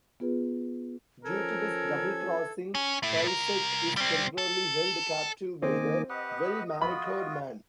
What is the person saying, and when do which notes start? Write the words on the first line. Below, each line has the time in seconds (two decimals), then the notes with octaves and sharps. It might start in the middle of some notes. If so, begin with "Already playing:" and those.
Due to this double-crossing, Krycek is temporarily held captive by the Well Manicured Man.
0.20 B3 F4 G#4 B4
1.25 F3 C#4 A4 A#4 G#6
2.75 C#4
3.03 A3 E4
3.27 C2 A#4
3.97 G3 C4
4.38 A4
5.62 D#3 A#3 C4 D#5 G#5 D6
6.10 G4 B4 D#5 F#5
6.81 F4 F#4 B5